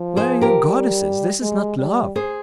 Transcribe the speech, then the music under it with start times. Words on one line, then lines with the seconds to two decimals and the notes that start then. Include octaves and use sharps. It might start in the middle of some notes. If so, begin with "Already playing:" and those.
Where are your goddesses? This is not love.'...
Already playing: F3
0.16 G#4 C5
0.41 G4 A#4
0.67 G3
1.42 G#3
1.78 G3
2.16 G#4 C5